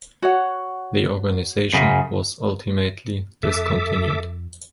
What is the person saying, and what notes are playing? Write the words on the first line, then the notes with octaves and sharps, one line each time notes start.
The organization was ultimately discontinued.
F#4 C#5 F#5
F#2 C#3
F2 A4 E5 D6